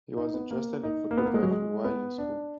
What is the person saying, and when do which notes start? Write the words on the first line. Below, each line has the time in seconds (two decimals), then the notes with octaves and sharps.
He was interested in photography while in school.
0.17 D#4
0.34 B3
0.51 A#3
0.83 D#4
1.11 A#3
1.17 B3
1.26 A#3
1.34 G#3
1.43 F#3
1.51 G#3
1.84 B3
2.18 D4